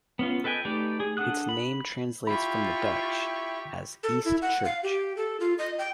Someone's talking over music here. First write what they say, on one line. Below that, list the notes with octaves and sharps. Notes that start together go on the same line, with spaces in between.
Its name translates from the Dutch as "east church".
B3 C#4 F4
A4 B4 D#5 G5 G#5
A3 D#4 G4 B4 D5
G#4
D4 A4 F#5 D#6 F#6
B5
E4 F4 G4 B5 C#6
A4
E4
F#5
F5
G4
A4
F4
D#5
G5